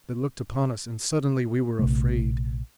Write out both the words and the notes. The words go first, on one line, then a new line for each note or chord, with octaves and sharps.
But they looked upon us, and suddenly we were afraid.
A#1 C3 A3